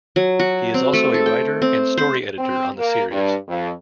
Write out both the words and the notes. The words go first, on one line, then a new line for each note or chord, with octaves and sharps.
He is also a writer and story editor on the series.
F#3
F#4
C4
A3
A4
G5
C4
C5
C4
A#3
G2
F2